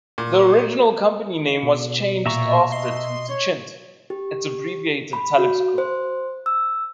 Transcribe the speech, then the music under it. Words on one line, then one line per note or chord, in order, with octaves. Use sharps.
The original company name was changed after to "Techint", its abbreviated telex code.
A#2
B2
A#2 E5 A#5 C#6
D#5 C6
C#5
G4
B5
F#4
C5
E6